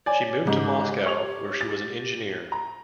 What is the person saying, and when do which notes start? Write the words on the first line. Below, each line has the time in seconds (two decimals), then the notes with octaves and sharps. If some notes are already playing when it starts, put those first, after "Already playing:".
She moved to Moscow where she was an engineer.
0.06 C#5 D5 G#5
0.45 G#2 C#3 G4
1.06 C#5 F7
1.61 A6
2.52 A#5